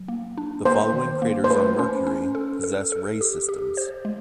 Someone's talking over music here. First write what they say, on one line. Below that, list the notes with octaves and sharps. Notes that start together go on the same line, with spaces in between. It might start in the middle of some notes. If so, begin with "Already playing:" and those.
The following craters on Mercury possess ray systems.
Already playing: F#3
A#3
D4
A#3 C5
D#3
A#3
C5
A3 B4
C#4
C#4
A4
A4
A4
G4
G4
C5
G#3